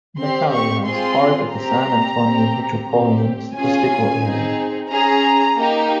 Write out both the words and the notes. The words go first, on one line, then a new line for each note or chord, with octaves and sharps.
Natalia is part of the San Antonio Metropolitan Statistical Area.
C4 G4 C6
C#6
C4 F4 G#4 C6
C4 G4 A#5
C4 G4
C4 G4
C#4 F4 G#4 G#5
C4 D#4 G#4
C#4 G#4 A#5
A#3 D#4 G4